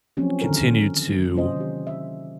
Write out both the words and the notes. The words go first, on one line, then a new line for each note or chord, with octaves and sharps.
continue to
F3 F#3 A#3 C4 C#4 G4
D3 D#3 A#3 A4 A#4
F#3
C3 A#3 C#4 F4 C5 D#5
D#3 G4
E5